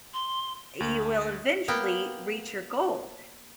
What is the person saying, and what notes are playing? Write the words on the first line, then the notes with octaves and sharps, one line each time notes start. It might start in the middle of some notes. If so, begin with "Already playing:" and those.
you will eventually reach your goal,
C6
D2
A#3 B3 G5